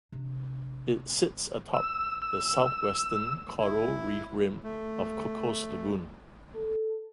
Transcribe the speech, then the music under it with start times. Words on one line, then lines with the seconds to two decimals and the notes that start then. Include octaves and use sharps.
It sits atop the southwestern coral reef rim of Cocos Lagoon.
0.12 C3 D4
1.74 E6
2.22 E6
3.58 E4
4.64 A3
6.55 A4